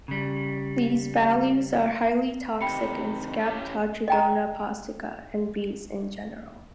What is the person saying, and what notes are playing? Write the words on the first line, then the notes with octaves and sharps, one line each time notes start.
These values are highly toxic in "Scaptotrigona postica" and bees in general.
C#3 G3
C3 D#3 G5 B5 C#7
C#4 E4 G4
D#5 G5 A#5